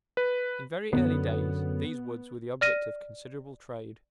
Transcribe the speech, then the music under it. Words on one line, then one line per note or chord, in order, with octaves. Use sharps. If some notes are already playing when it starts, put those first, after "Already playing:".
In very early days these woods were the object of considerable trade.
B4
F#2 D3 B3
D5 F6 A#6 D#7